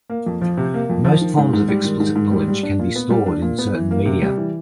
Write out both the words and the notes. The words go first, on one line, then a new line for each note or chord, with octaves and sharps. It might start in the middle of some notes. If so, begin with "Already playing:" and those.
Most forms of explicit knowledge can be stored in certain media.
A#3
F2
F3
C3
A#3
F2
F3
D#3
G#2
G#2
G3
D#3
G#2
G#2
G3
G3
D4
A#2
B3
G3
D4
A#2
B3
E3
A#3
C3
G3
E3